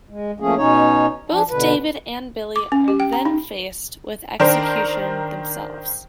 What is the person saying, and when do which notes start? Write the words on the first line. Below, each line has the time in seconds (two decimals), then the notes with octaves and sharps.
Both David and Billy are then faced with execution themselves.
0.09 G#3
0.40 F3 A3 A#3 C#4 G#4
0.57 B2 C#4 D#4 C#5
1.30 F3 D4
1.50 B2 D3 B4
2.56 D6
2.72 C#4
2.88 G4
3.00 G5
3.13 A#5
3.25 D#4
4.40 D#3 D4 A#4 C5